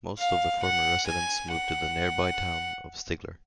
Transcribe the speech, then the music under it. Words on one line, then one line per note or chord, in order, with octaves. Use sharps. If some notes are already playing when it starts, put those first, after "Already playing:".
Most of the former residents moved to the nearby town of Stigler.
F5
F#5
G#5
F#5